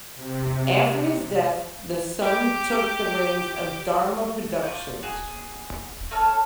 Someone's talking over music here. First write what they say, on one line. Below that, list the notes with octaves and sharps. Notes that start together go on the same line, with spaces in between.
After his death, his son took the reins of Dharma Productions.
C3
G4 D6
F4 C#6 D6 G6
F#4 G#4 G#5
A3 C#5 A5 F6